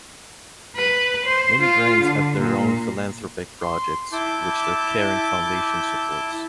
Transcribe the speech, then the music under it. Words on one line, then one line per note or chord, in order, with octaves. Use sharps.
Many brands have their own philanthropic projects, which the Kering Foundation supports.
B4
C5
F4
D3
A#2
C6
E4 A5 D6 G6